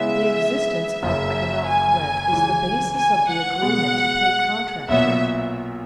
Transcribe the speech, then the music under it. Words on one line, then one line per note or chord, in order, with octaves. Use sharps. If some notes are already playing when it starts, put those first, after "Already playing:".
The existence of economic rent is the basis of the agreement to pay contract rent.
Already playing: C#3 G#3 B3 E4 G#4 E5
F#1 F#2 C#3 E5
G#5
C#2 C#3 E3
G#5
F#5
B2 G#3 B3 F#4
B1 A#2 F#3 B3 E5